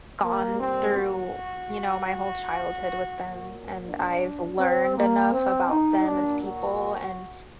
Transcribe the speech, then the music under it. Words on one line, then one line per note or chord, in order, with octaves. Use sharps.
gone through, you know, my whole childhood with them, and I've learned enough about them, as people, and,
A#2 G3 A#3
C4
F#4
A#2 F#3
D4
C4
A#3
C4
D#4
A#2 F#3 D4
F#4